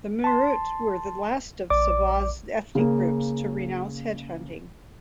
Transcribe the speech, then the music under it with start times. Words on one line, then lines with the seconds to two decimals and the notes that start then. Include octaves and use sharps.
The Murut were the last of Sabah's ethnic groups to renounce headhunting.
0.24 A5 C6
1.70 A#1 D5 D6
2.75 C#3 A#3